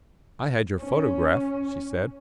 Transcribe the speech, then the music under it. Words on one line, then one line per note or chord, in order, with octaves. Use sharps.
"I had your photograph," she said.
C#4